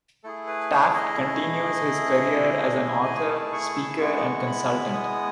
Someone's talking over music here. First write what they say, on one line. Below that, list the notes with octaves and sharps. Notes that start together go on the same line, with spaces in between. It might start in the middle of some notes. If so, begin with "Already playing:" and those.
Taft continues his career as an author, speaker, and consultant.
A3 E4 G#4 A4
B4
C#5
D#5
G#5
A5
C#6
E6
G#3 B3 E4 C#6
B5
D#6